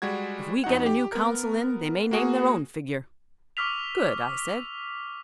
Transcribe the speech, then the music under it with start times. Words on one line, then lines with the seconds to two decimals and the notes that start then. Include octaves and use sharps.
If we get a new council in they may name their own figure.' 'Good,' I said.
0.02 G3 G#3 F#4 G#6
0.64 F2 D#4 F#4 F#5
0.86 G4
1.12 B3 A#4
2.11 A#3 F#4 G#4
3.57 C#6 D6 E6 F6 B6 F7